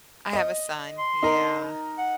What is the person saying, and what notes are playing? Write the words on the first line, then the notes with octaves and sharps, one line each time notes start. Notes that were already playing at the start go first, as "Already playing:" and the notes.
I have a son. Yeah.
D#5
C6
D#4 A#4 A#5
F#5